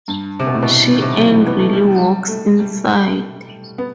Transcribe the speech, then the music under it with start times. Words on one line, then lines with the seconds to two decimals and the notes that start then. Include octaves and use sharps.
She angrily walks inside.
0.08 G2
0.40 C3
0.47 B2
0.55 A2
0.63 B2
0.71 A2
0.92 D#3
1.02 C3
1.18 F#3
1.26 E3
1.46 B3
1.60 A3
1.73 G3
1.96 G3
2.28 A3
2.59 G3
3.78 B3